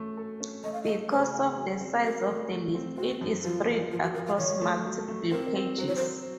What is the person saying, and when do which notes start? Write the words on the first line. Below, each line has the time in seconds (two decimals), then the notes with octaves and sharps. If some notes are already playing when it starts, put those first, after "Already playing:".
Because of the size of the list, it is spread across multiple pages.
Already playing: A3 C#4
0.17 A4
0.40 C#4
0.64 A3 D#5
0.73 F5
0.83 D#5
0.87 A3
1.11 C#3 C5
1.34 C#3
1.58 F#3
1.81 C4
2.04 F#3 A#4
2.28 A3
2.51 A3
2.75 C4
2.97 C4 F#4
3.21 F#2
3.44 F3 F4
3.67 F3
3.91 F3 F4
4.03 F#4
4.14 F3 A#4
4.27 F5
4.38 D#3 C#5
4.61 A3
4.85 F#3
5.08 A3
5.31 C4 A#4
5.55 C4
5.78 F#3 C5
5.87 C#5
5.95 C5
6.02 F#3